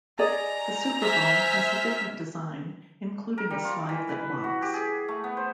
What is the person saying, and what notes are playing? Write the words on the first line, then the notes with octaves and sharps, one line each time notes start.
The Superbone has a different design, including a slide that locks.
G#4 D5 D#5 A#5
C5 E5 G#5 F6 B6
A#4
G3
F4
E3
B4
F#4
G4
G#4
A3
B3
C5